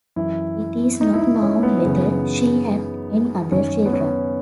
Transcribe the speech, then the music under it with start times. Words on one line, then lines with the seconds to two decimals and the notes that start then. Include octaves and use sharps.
It is not known whether she had any other children.
0.16 F#2 E3 E4
1.01 D#4
1.13 E4
1.21 D#4
1.42 C#4
1.63 B3
1.85 F#2 C#3 E3
3.52 F#2 D#3 C#4
3.86 B3
3.93 C#4